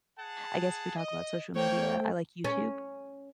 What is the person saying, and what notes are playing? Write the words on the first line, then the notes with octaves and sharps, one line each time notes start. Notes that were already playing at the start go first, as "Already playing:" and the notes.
I guess if we talk about social media, I like YouTube
G#4 F#5 A5
D#5
A3 A#3 C5 C#5 G5
C#4